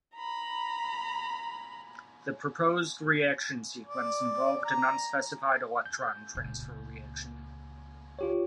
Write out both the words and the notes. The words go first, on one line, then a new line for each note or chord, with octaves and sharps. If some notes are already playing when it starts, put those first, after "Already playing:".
The proposed reaction sequence involved an unspecified electron transfer reaction.
A#5 B5
D5
A#5
G6
C#2 A#2
F4 G4 C#5